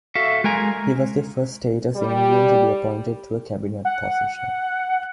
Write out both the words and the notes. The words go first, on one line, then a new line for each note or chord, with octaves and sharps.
He was the first Status Indian to be appointed to a cabinet position.
F#4 A4 E5 F5
G#3 A#4 G#5 A#5
G3
F#5